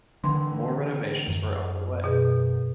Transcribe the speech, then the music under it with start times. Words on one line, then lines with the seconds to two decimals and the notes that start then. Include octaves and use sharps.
More renovations were underway.
0.24 D3 E3 C6
1.28 F#2
2.04 B2 G#4 G6